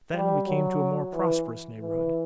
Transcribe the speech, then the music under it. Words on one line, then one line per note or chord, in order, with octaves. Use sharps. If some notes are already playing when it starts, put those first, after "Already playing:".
Then we came to a more prosperous neighborhood.
G3
F#3
E3
E3